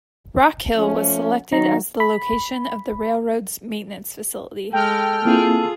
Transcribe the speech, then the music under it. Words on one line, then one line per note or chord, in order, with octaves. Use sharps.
Rockhill was selected as the location of the railroad's maintenance facility.
F3 A3 C#4
D#3 F#3 D#4
B5
G#3 A4 G5 F6
A#3 C4 E4 F4 G#4